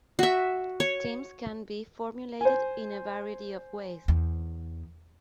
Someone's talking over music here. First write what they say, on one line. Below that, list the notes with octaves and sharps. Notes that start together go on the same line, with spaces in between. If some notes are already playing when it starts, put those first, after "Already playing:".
Teams can be formulated in a variety of ways.
F#4 E5
C#5
C5 G#5
E2